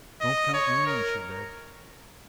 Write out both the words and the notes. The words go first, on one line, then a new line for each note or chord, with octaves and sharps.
"Don't count me in!" she begged.
D#5
C#5
A#4